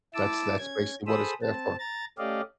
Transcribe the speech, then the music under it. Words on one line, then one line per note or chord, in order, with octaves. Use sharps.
That's that's basically what it's there for.
E4 A5 D6 E6
C#4 G#6
G#4 A4 C5 B5 D#6 E6
C4 A5
A#5 A6
A3 C#4 G4 D5 D#5 F5